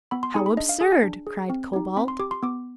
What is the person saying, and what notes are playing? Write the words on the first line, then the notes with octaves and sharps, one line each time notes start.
"How absurd!" cried Cobalt.
B3 B5
C6
D#4 G#4 G#5
B5
D4 D#5
F5
G#4 G#5
G#5
D4
G#4
C4
D#4 G4
C4 B5
C6
G4 D6
C6
B3 D6